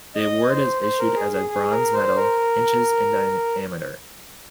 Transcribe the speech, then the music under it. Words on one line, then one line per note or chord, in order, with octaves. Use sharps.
The award is issued as a bronze medal, inches in diameter.
D#5
C5
C5
A#4
G#4
G#4
G#4
A#4
C5
A#4